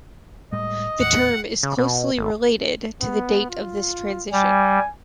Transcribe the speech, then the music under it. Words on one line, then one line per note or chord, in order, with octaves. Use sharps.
The term is closely related to the date of this transition.
A2 G3 G#3 D#5
D#2 A2 F#5
C#3
B2
G#1
B3
F4
G3 G#5